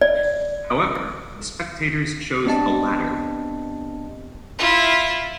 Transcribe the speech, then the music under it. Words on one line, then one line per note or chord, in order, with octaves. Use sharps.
However, the spectators chose the latter.
D5
B3 C4 D4 G4 D#5 A5
E4 F4